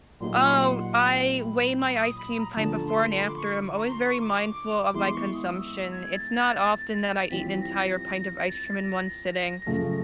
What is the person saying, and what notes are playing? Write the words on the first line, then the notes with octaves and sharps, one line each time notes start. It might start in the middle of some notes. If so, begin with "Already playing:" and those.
Oh, I weigh my ice cream pint before and after, I'm always very mindful of my consumption; it's not often that I eat an entire pint of ice cream in one sitting
A#2 F#3 A#3 D#4 G4 C6
C6
F#5
F#5
G5
B5
E6
D#6
B5
A#5
A#5
D3 F3 A3 D4 A5
C6
B5
D6
C#6
A#5
C6
C#6
D6
E3 G#3 B3 E4 C6
C#6
D#6
E6
G#6
A6
E3 G3 C4 F4 B6
B6
A#6
A#6
A6
A#6
F#2 C#3 F3 A3